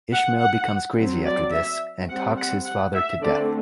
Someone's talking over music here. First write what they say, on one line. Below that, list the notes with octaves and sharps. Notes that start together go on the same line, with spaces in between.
Ishmael becomes crazy after this, and "talks his father to death".
F#5
F#5
F#3 C4
D5
E5
G3 C4 F#5
F#5
F#5
E5
D3 A3 C4 D5